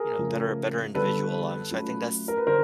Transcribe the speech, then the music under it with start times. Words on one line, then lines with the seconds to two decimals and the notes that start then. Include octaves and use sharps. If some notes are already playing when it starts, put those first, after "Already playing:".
you know, better better individual, um, so I think that's
Already playing: G#4 A#4
0.19 C#3 F3 A3
0.95 D3 G3 B3 A4 B4
1.71 F#3 A3 C#4 F4
2.28 A#4
2.37 B4
2.47 D3 A#4 C5